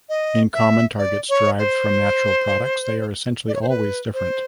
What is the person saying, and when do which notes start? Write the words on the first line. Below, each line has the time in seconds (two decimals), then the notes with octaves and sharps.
In common targets derived from natural products, they are essentially always different.
0.09 D#5
0.53 E5
0.98 D5
1.29 C#5
1.58 C5
3.48 D5
3.55 C#5
3.62 C5
3.69 B4
4.14 C5